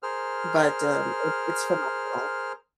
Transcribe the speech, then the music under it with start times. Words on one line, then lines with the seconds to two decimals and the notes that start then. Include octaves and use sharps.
but, um, it it's phenomenal.
0.03 G#4 A#4 C5 F6